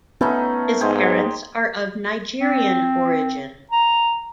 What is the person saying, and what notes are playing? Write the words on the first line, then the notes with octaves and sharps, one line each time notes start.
His parents are of Nigerian origin.
A3 B3 C#4 D#4
G#2 G4 G#4 C5
C4
A#5